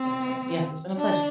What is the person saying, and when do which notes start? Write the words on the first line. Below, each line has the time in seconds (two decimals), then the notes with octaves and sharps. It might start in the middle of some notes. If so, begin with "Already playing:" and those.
So, um, yeah, it's been a pleasure.
Already playing: C4
0.98 D4